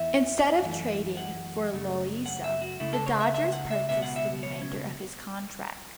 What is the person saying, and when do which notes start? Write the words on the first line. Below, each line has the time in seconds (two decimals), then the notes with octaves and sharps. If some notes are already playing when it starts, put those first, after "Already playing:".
Instead of trading for Loaiza, the Dodgers purchased the remainder of his contract.
Already playing: E2 E3 B3 E5
0.62 F#2 E3 A3
1.17 F#5
1.71 F#2 C#3 A3
2.26 F#5
2.44 E5
2.62 F#4
2.80 C#2 C#3 A3 E4
2.93 A4
3.06 C#5
3.20 E5
3.34 E5
3.53 F#5
3.71 E5
3.89 C#2 B2 B3 E5
4.02 F#5
4.16 E5
4.43 C#5
4.62 C#4